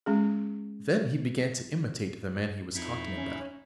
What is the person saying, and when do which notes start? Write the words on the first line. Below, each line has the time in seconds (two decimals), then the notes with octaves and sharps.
Then he began to imitate the man he was talking about.
0.06 G#3 C#4 G#4
2.75 F2 D#4 E4 E5
3.17 C#4